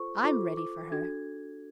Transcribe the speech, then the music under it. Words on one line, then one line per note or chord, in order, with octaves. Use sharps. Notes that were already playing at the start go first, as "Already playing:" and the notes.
'I'm ready for her.
Already playing: F4 A4 C5 C#6
F4 A4 C5 D6
D6
D4 F#4 A4 G#6